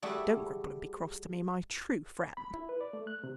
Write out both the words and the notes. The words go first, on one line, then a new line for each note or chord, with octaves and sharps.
Don't grumble and be cross to me, my true friend.
G3 A3 E4 F#4 G#4
B5
E4
B4
D5
A3
F#6
C3